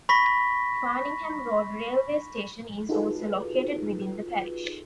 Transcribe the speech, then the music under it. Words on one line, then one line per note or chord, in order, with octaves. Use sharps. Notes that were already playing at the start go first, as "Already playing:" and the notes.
Farningham Road railway station is also located within the parish.
B5 C#6 A#6 B6
D#4 F4 F#4 G#4 A4 B4